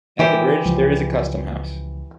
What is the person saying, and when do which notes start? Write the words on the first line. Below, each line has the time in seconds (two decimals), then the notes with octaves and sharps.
At the bridge there is a Custom House.
0.19 D#3 E3 G4 C5
0.65 C#2 F3